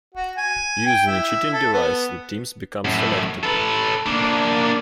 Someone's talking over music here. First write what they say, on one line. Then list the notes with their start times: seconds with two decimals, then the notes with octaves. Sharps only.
Using a cheating device the teams become selectable.
0.15 F#4
0.38 G#5
0.86 G5
1.07 E4
1.53 A4
1.73 B3
2.85 F#2 A2
3.43 A4 B4
4.06 A#3 D4